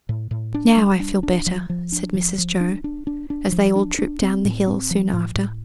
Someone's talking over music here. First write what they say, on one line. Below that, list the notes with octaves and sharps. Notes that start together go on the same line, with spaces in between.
'Now I feel better,' said Mrs Jo, as they all trooped down the hill soon after.
A2
A2
D4
G3
D4
D4
F3
F3
D4
F3
F3
D4
D4
D4
D4
F3
D4
D4
C4
A2
C4
F3
A2
A2